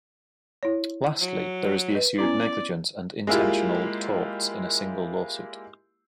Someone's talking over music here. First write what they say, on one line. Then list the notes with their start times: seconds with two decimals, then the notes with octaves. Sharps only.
Lastly, there is the issue of negligence and intentional torts in a single lawsuit.
0.63 E4 C#5
1.21 F#3
1.95 B4 D#5
2.18 B3 C#4 E4 D5
3.27 G#3 A#3 E4 F4 G4